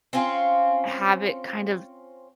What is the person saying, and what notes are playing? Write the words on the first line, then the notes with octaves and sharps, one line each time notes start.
Have it, kind of
C4 C#4 F4